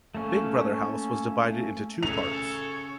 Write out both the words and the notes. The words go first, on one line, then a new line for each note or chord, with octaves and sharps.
Big Brother house was divided into two parts.
A3 A#3 C#4
C#3 C#4 A4 C#5 F7